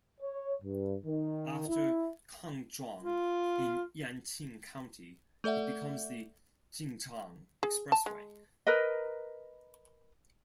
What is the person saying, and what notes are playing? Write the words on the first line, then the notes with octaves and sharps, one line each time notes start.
After Kangzhuang in Yanqing County, it becomes the Jingzhang Expressway.
C#5
G2
D#3
E4
F4
A3 A4 D5 E5 F#5
G#4
A5
G#3
A#4 B4 D#5